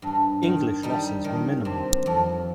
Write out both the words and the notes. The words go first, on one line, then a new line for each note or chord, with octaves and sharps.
English losses were minimal.
G2
D#3
G3 D#4
D#3
C3
F2